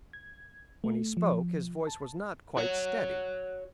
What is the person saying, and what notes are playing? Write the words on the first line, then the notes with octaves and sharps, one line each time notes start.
When he spoke his voice was not quite steady.
G#6
A3
F3
A5
F#4 C#5